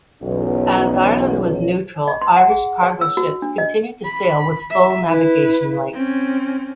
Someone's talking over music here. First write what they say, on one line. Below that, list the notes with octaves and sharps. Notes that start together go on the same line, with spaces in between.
As Ireland was neutral, Irish cargo ships continued to sail with full navigation lights.
B1 E2 C#4
D#5
C6
F#5
G#4
C#5
E6
F#4
D4
D#5
B5
E5
E4 B4
C4 C#4